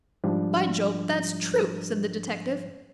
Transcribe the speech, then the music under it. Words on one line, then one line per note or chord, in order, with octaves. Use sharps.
"By Jove! that's true," said the detective.
G#2 F3 G3 D4